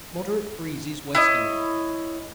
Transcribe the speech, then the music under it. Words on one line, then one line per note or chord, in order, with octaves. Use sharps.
Moderate breezes westerly.
E4 C#5 D#5